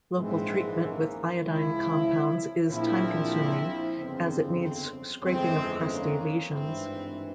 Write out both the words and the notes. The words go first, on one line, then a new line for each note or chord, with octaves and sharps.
Local treatment with iodine compounds is time-consuming, as it needs scraping of crusty lesions.
A#1 G#2 E3 G#3 C4
A#3 C#4
C#2 C#3 F3 C4 E4
A#1 A#2 F3 C4 E4
G1 F2 C#3 C4
C4
G1 F2 E3 G#3 C4
A#3 C#4
G#1 G2 E3 C4 E4